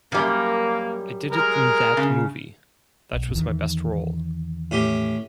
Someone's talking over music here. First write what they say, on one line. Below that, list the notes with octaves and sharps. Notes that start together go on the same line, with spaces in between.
I did it in that movie, that was my best role.
F#2 G3 A#3
G#3 A#4
C#3
B1
E2 D#3 E3
A2 C#4 G4